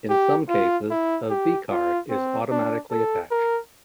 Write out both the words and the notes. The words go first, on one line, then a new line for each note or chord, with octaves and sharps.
In some cases a vCard is automatically attached.
G4
F4
E4
G4
F4
C4
D4
A4
A#4